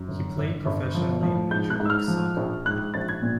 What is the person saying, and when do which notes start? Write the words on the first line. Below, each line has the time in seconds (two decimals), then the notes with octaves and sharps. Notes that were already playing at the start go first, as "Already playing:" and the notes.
He played professionally in Major League Soccer.
Already playing: F#2
0.08 G1
0.37 G1
0.65 G1
0.95 F3
1.22 F3
1.51 G#2 G6
1.70 F#6
1.80 G#2
1.85 E6
1.90 F6
2.08 F3
2.37 A#1
2.65 G#2 F#6
2.94 A#1 A6
3.09 G#6
3.23 A#2